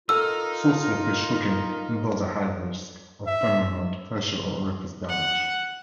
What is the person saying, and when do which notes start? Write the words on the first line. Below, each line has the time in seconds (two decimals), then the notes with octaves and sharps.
Forceful fish-hooking involves a high risk of permanent facial or orifice damage.
0.09 D#4 F4 A4 A#4 E6 F6
3.27 E5
5.09 F#5